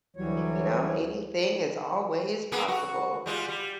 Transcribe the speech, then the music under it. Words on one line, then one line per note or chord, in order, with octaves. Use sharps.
you know, anything is always possible.
D2 E3 F#3 G3 C#5
A#3 B3 G#4
F#4
G3 G#3 F4
G3